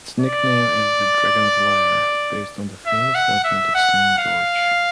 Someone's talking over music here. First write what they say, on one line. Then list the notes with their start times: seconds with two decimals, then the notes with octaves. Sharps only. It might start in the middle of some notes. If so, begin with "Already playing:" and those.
Its nickname is "The Dragon's Lair" based on the famous legend of Saint George.
0.21 D5
2.86 E5
3.15 F#5
3.44 E5
3.75 F#5
4.18 F5